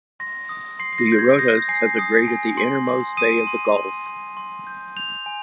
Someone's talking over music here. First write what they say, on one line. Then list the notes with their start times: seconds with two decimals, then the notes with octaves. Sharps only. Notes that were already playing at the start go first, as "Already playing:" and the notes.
The Eurotas has aggraded the innermost bay of the gulf.
0.20 C6 A#6
0.49 D#6
0.79 C6 C7
0.93 C7
0.98 A#6
1.09 C6 G6
1.19 G#6
1.39 D#6 A#6
1.69 G#5 C7
1.99 D#6
2.28 G#5
2.57 C6
2.87 C6
3.17 D#6 D#7
3.47 C6
3.76 C6
4.07 C6
4.37 C6
4.67 G6
4.97 G6 F7
5.26 G#5